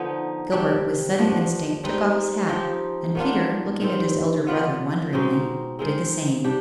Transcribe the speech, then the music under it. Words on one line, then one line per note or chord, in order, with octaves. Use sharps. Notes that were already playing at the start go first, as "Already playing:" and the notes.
Gilbert with sudden instinct took off his hat, and Peter, looking at his elder brother wonderingly, did the same.
Already playing: D3 F3 B3 D#4
C3 G3 D4 G4
G2 F3 B3 D4
G3 C4 D#4 B4
F3 C4 D#4 G4
D#3 B3 D4 F4
D#3 G3 C4
B3 F4 B4 D5
B2 G#3 C4 D#4
D#3 G#3 C4
G3 D4 G4